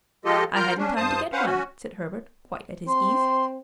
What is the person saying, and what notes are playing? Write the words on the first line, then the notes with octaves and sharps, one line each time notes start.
"I hadn't time to get one," said Herbert, quite at his ease.
F3 G#3 F4 G4 A4 D#5
F4 A#4 A#5 F6 G6
C#4 D4
G2 C5 A5 D#6
C#4 B4 C5 F5 F#5
C#4 F#4
C4 C6